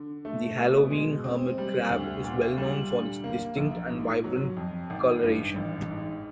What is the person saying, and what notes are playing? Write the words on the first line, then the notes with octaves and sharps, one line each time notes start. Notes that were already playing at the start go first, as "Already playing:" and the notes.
The halloween hermit crab is well known for its distinct and vibrant coloration.
Already playing: D3
A3
B2
G#3
C4
G3
D2
A#2
G3
D3
A#3
A#1
G#2
F#3
F2
G#1
G2
A1
G#2